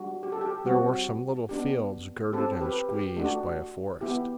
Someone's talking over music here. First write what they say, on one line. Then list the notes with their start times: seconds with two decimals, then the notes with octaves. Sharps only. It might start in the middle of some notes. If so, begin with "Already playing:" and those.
There were some little fields girted and squeezed by a forest.
Already playing: G3 D4 F#4
0.23 G4
0.32 A4
0.41 G4
0.65 G3 C4 F#4
1.49 B3 D4 G4
2.33 C4 G4 A4
2.61 G4 B4
2.89 G4
3.16 A3 D4 F#4 G4
4.01 B3 E4 G4